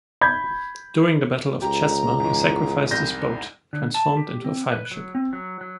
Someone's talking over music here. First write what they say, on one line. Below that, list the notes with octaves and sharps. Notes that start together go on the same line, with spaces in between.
During the battle of Chesma, he sacrificed his boat, transformed into a fire ship.
B5 G6 G#6
C#2 G4 A#5
E2 G#2
C2 G6 A#6
D3
A5
G4
C4
B4
F#3
C4
F#3
F#3